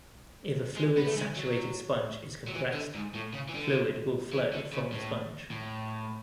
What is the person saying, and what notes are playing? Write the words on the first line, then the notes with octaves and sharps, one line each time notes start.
If a fluid- saturated sponge is compressed, fluid will flow from the sponge.
G#3
B3
A3
G#3
F#3
F#3
E3
D3
G#2
A2
C#3
E3
D3
E3
D3
C#3
A2
A2